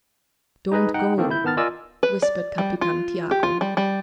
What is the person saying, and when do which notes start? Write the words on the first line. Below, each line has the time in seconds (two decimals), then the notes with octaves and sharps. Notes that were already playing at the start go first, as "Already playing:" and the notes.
"Don't go!" whispered Capitan Tiago.
0.72 D#4 G#4 B4 D#5
0.94 D#4 F#5 G5
1.18 D#3 A#3 C4 A4
1.30 E4 G6
1.44 D#3 B3 A5 F6 A6
1.57 F4 A#4 D5 D#5 G#5 E6
2.03 B4
2.22 D5
2.58 G3
2.81 F4
3.31 G4
3.43 F4
3.61 G3
3.77 G3